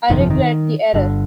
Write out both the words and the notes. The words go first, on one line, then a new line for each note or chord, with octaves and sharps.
I regret the error.
G1 F2 C3 D#3
F3
D#3
G1 G2 D3